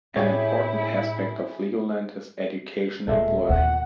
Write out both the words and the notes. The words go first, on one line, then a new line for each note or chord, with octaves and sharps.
An important aspect of Legoland is education and learning.
A2 E4 G4 G#4 C#5 G5
D1 A#2 G#3 A4 E5
D#2 A#2 F#5